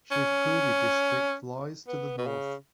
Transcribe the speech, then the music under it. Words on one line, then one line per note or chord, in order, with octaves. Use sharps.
Shivpuri District lies to the north.
C#4
B3
B2
C#3